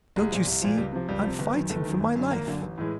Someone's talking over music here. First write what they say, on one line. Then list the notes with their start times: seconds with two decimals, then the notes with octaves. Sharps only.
Don't you see I'm fighting for my life?
0.16 C2 G#3
0.32 A#2 F3
0.47 C2
0.62 A#2 F3
0.77 C#2 G3
0.93 C3 F3
1.08 C#2 G3
1.23 C3 F3
1.39 G1
1.54 F#2 D#3
1.70 G1 A3
1.85 F#2 D#3
2.00 G#1
2.16 F#2 D3
2.31 G#1 A#3
2.46 F#2 D3
2.62 A1
2.78 A2 E3 G#3